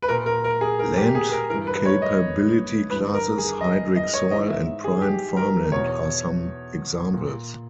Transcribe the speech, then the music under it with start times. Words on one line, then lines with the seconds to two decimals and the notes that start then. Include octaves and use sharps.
Land Capability Classes, hydric soil, and prime farmland are some examples.
0.02 B4
0.08 A#2 A#4
0.26 A#4
0.44 A#4
0.61 G#4
0.79 A#4
0.97 G4
1.15 G#4
1.32 A#4
1.50 G2 E3 A#4
1.67 B4
1.86 C#5
2.02 D#5
2.90 G2 E3 B4
3.15 A#4
3.38 G#4
3.61 D#5
3.96 D#5
4.14 C#5
4.31 G#2 E3 D#5
4.50 E5
4.84 G#4
5.02 G4
5.37 A#4
5.72 E2 B2 C#5
7.14 A#2